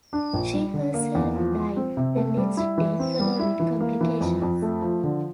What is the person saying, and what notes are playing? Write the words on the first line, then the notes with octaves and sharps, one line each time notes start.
She herself died the next day following complications.
D4
A#1
G3
D3
A#3
E2
F3
F3
C4
C3
A3
G3
E4
E3
C4
G3
E4
E3
A#3
E3
F2
F2
A3
F3
D3